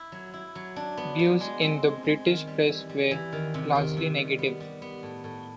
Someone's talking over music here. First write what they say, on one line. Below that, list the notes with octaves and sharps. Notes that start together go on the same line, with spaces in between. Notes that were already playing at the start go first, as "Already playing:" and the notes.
Views in the British press were largely negative.
Already playing: E4
F#3
E4
F#3
D4
B3
B3
G#3
C4
G#3
G#3
D#3
G3
E3
G3
E3
D#3
C3
D#3
C3
G3
B3
G3
B3
A2
A2